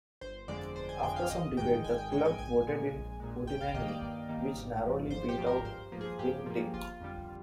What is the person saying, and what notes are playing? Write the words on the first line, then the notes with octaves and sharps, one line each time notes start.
After some debate the club voted in "hootenanny", which narrowly beat out "wingding".
G1 C5
F2 D3 G#3 D5
G1 C5
G#5
F2 D3 G#3 G5
F5
G#1 D#5
G#2 D#3 G#3 G5
G#1 G#5
G5
G#2 D#3 G#3 G5
G#5
A#1 G#5
A#2 G#3
A#1
A#2 G#3
G2 G5
F5
D#3 G3 A#3 D#5
D5
G2
D#3 G3 A#3
G#1
G#2 F3
G#1 C5
G4
G#2 F3
A#4
G2 C5
F3 A#3
G#4
G2 G4
F3 A#3
G1 F4
F2 D3 G3